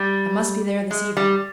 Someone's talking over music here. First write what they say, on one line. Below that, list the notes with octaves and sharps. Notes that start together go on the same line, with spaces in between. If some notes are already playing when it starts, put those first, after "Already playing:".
"I must be there this evening."
Already playing: G3
G#3
G3